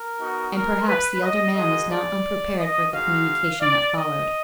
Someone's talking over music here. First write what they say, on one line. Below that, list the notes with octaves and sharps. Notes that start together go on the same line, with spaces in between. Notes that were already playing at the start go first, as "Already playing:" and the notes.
And, perhaps, the elder man was not unprepared for the communication that followed.
Already playing: A#4
B3 D#4 F#4
A#4
B4
D#5
G#3 D#4 F#4 D#5
D5
D#5
G#3 D#4 F#4 F5
D5
D#5